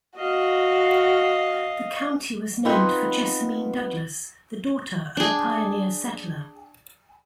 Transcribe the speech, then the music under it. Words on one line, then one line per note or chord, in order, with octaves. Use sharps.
The county was named for Jessamine Douglass, the daughter of a pioneer settler.
F#4 D#5 F5
B3 C4 D#4 F4 G#4 B4
D4 G#4